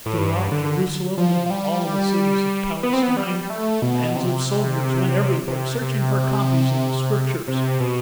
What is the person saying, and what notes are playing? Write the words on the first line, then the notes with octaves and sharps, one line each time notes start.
Throughout Jerusalem and all the cities of Palestine bands of soldiers went everywhere searching for copies of the Scriptures.
A2
G2
D3
F3
F3
G3
B3
C4
B3
G3
A3
B2
C3
C3
C3
C3
B2